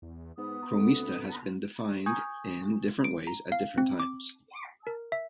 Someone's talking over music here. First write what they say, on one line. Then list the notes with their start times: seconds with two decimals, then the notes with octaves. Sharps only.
Chromista has been defined in different ways at different times.
0.02 E2
0.38 G#2 B3 D#6
0.71 D2 C4 A4
2.06 G#5 C#6 D#6 G6 G#6
3.04 D7
3.27 A#5
3.52 F5
3.78 C4
4.00 D6
4.87 A#4
5.12 E5